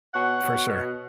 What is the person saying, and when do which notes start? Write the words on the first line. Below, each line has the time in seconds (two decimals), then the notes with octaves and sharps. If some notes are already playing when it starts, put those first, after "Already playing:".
For sure.
0.14 B2 C#5 F#5
0.41 B2
0.67 B2